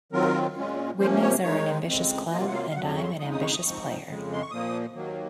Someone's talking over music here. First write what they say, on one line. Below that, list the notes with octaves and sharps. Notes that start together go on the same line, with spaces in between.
Widnes are an ambitious club and I'm an ambitious player.
D#3 F#3 C4 F4 A#4
A#2 G#3 C#4 F4
C3 F3 A#3 C#4 C5
C#5
D#3 G#3 D#4 C#5
F2 C#3 G#3 C4
C3 F#3 A#3 F4 D#5
F#5
F5
F5
F2 C#3 F#3 F#5
A#5
C#6
C6
C#6
F2 C#3 G#3 D#4 D#6
D#6
C#6
D#6
G#2 F3 C4 D#4 C#6
F2 C#3 G#3
C6
C#6
A#2 F3 A#3 D#6
D#2 D#3 F#3 A#3